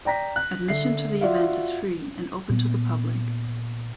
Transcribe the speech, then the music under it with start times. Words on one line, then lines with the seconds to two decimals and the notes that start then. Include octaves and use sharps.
Admission to the event is free and open to the public.
0.05 D5 G5 A#5 A#6 B6
0.36 F#6
0.68 D3 E5 C7
1.21 F4 F#4 D5 E5 F5
2.50 A#2 B3